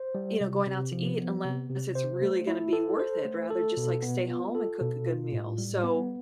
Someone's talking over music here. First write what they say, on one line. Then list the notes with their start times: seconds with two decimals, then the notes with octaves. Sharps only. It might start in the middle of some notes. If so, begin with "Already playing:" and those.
you know, going out to eat unless it's really gonna be worth it, rather just, like, stay home and cook a good meal, so,
Already playing: C5
0.15 G3
0.40 C3
0.66 C3
0.92 F3
1.18 B3
1.44 C3
1.70 C3
1.95 C5
2.22 A3
2.47 E4
2.73 A4
2.99 C5
3.25 A3
3.50 A4
3.77 B2
4.02 B3
4.28 F4
4.55 A4
4.81 B2
5.06 F4
5.32 A2
5.58 G3
5.84 B3